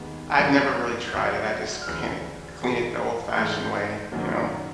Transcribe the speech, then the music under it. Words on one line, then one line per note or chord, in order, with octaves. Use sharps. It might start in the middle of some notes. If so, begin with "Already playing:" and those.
I've never really tried it. I just clean it clean it the old-fashioned way, you know.
Already playing: D#2 D#3 G#3 B3
G2 D#3 F#3 B3
G6
D2 D3 F#3 E6 F#6
F6
D2 C#3 E3 E6 F#6
G#2 E3 G#3
F#6
G#2 E3 A3 F6 G6
F#2 D#3 F#3 A#3